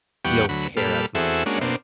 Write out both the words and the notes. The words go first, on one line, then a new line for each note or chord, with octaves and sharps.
you don't care as much, right?
E2 G3 B3 F#5 G5 C#6
D2 F#3 B5
A#2 G3 A4 B5 F6
E2 C4 F#4 G#4 A4 E5
G#3 A#3 C#4 D4 F#4
B2 A#3 C4 D4